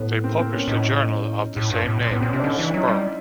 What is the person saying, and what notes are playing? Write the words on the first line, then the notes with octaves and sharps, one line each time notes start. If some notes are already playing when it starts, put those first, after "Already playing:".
They published a journal of the same name "Spur".
Already playing: A2 A3 B3
A#3 C4
A#3 C4
B3 C#4
A2 C#4 D#4
A2
G2
A2
A#2
A2 B3
A#2 C4
C#4
C3 D4
D3 C#4 D#4
D4 E4
E3
D4 E4
F#3 D#4 F4
G3